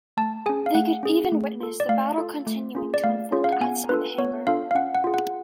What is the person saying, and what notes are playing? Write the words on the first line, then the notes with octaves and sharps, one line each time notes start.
They could even witness the battle continuing to unfold outside the hangar.
A3 A5
C#4 G#4 G#5
F5
A3 F#5
C#4 G#4
A3
F4 A4
D5
A3 F5
F4 A4
A3
C#4 F4 G#4
D5
A3 F5
C#4 F4 G#4
F5
F#5
B3 G#5
D4 F4 A4 B4
B3 C#5
D4 F4 A4 F5
F5
C#4 F#5
F#5
F4 G#4
F#5